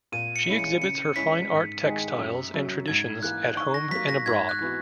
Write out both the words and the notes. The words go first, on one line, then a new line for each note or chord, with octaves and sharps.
She exhibits her fine art textiles and traditions at home and abroad.
A#2 D#7
C#7
G#3 C#4 E4
C#7
C#3 C#7
G#3 C#4 E4 B6
G#2
D#3 G#3
F#2
C#3 F#3
G#2 G#6
E3 A#3 F#6
D#3 C#6
A#6
F#3 A#3 B6
A#6
G#2 G#6
F#6
E3 B3 F#4